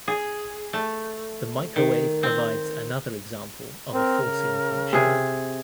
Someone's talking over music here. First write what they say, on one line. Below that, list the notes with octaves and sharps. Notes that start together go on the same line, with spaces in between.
The microwave provides another example of a forcing function.
G#4
A3
D#3
C4
C4 A#4
C#3
C3 G#4